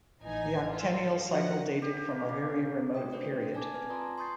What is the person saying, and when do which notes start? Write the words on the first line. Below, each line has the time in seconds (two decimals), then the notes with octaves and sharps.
The octennial cycle dated from a very remote period.
0.23 A1 E3 D#4 G#5
0.70 F4 A4
1.24 F3 F#4 D#5 F#5
1.82 G4
2.11 A#3
2.29 C#3
2.95 A3 D#4 F#4 G5 D#6
3.13 D4 A4 B4 C5 D5
3.55 D5 G#5 A5 D6 G#6
3.74 C4 B4 G#5
3.90 F4 D5 A5 A#5 C6 D#6
4.18 C6 C#6 D#6 G6 A6 C7